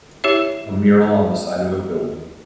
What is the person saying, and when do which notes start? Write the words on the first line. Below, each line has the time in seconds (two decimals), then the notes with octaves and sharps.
A mural on the side of a building.
0.24 E4 G4 C#5 E5